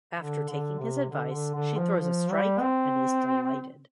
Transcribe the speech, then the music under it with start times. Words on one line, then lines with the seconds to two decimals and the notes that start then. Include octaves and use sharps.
After taking his advice, she throws a strike and is delighted.
0.19 D3
0.49 D3
0.79 C3
1.10 D3
1.32 D3
1.55 D3
1.77 F3
2.00 F3
2.31 G3
2.61 C4